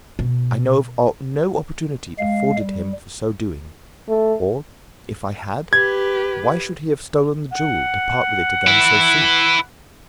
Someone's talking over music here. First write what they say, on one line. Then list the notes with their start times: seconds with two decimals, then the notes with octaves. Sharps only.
I know of no opportunity afforded him for so doing; or, if I had, why should he have stolen the jewel, to part with it again so soon?
0.19 B2
2.19 G#3 F5
2.59 G3
4.09 A3
5.73 G4 B4 G#6
7.52 F#5
8.67 E4 B4